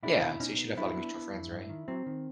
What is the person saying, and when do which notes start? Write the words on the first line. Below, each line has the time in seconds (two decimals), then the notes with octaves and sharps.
Yeah. So you should have a lot of mutual friends, right?
0.03 B2 D4 E4
0.22 B2
0.40 B2 C#4 D#4
0.58 B3
0.77 F#3 D4 E4
0.96 B3
1.15 B3
1.33 F2
1.52 G2
1.70 D#3
1.88 F#3 C4
2.06 D#3